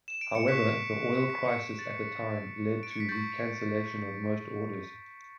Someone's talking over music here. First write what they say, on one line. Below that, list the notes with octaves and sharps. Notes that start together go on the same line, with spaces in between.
However, the oil crisis at the time led to the cancellation of most orders.
E7
D7
C#7
C#6 F#6 B6
C#7
B6
C#7
A6
D7
C#7
B6
C#6 G6 A6